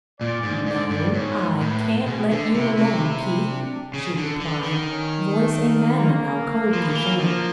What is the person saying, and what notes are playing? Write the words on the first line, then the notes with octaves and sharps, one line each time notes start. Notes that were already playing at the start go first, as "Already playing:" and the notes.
"No, I can't let you alone, Keith," she replied, voice and manner now coldly firm.
A#2 D5
G#2
G#2 D5
G2
G#2 C#5
A2 B4
B2 G#4
D3
C3 E4
C3
E4
D4
C#3
D3
D3 B3
D#3
C#4
A3
A#3
F3
E3
D#3
E3
F3